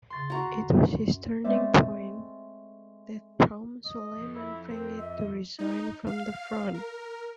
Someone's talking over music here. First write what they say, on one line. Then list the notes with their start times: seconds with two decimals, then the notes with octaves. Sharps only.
It was this turning point that prompted Suleiman Frangieh to resign from the Front.
0.10 C#3 C6 A6
0.30 F#4 A#5
0.45 D3
0.99 F#2
1.44 G#3 A3 C4 D5 E5
3.85 D#5
4.17 F2
4.35 E4
4.70 C4 A#4
4.98 D#5 E5
5.59 D#4
6.07 F5
6.74 A#4